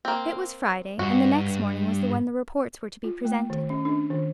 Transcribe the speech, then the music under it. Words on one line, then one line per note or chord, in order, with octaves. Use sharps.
It was Friday, and the next morning was the when the reports were to be presented.
A#3 C4
G2 F#4
F4
A3
D#3
C#4
D4
D#3